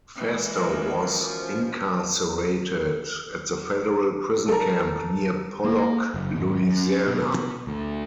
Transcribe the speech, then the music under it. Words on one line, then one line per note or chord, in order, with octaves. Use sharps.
Fastow was incarcerated at the Federal Prison Camp near Pollock, Louisiana.
E3 G#3
B2 F3 C#4 A#4
A4 A#4
A#3
F#1
G#1
F#2
B2
D2